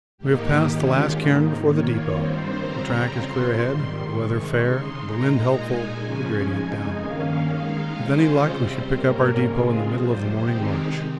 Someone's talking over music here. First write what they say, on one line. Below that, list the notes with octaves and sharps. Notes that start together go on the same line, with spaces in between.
We have passed the last cairn before the depot, the track is clear ahead, the weather fair, the wind helpful, the gradient down--with any luck we should pick up our depot in the middle of the morning march.
G#2 D#3 A#3 D#4 G4
D#3 G#3 C#4 F4
G#2 D#3 A#3 D#4
D#3 A#3 F4 C#5
G2 D#3 G3 C4 C5
F2 C#3 G3 C4 A#5
F2 C#3 F3 C4 C6
G#2 D#3 G3
C3 D#3 G#3 C#6
C#3 G#3 D#4 C6
A#2 G#3 D#4 A#5
A#2 G#3 D#4 G#5
C#3 F3 G#3 C#4
F2 C#3 G#3 D#4 G#5
G2 D#3 A#3 C#4 F5
D#3 G#3 D#4 F5
C#3 G#3 C#4 F4 C5
C3 G3 C4 C5
G#2 G3 A#3 C#4 A#4
C#3 G#3 C4 F4 G#4
F2 C3 G3 C5
D#3 G#3 C4 D#4 G4
C3